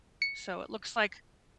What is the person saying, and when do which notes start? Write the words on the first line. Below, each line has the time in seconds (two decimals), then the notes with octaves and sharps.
so, it looks like
0.22 C#7